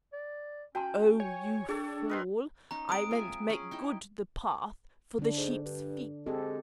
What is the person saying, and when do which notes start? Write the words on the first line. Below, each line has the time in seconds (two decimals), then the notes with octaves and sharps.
"Oh, you fool, I meant make good the path for the sheep's feet."
0.13 D5
0.75 C#4 F#4 G5 A5 C6
1.20 C#5 G#5
1.69 D4 G#4 A4 C#5 G5
2.09 A#4 B4 D#5 C6
2.71 C#4 D#4 A#5
2.89 G#3 C4 A5 D#6 D7
3.11 F4 E5 G#5
3.50 C#4 G#4
3.71 D#4 E4 G5
5.19 D3 D4
5.37 G#2
5.65 G2
6.26 G#3 C4 G4 A4